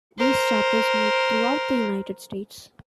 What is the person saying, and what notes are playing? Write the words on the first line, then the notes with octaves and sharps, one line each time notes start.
These chapters meet throughout the United States.
A#4 C5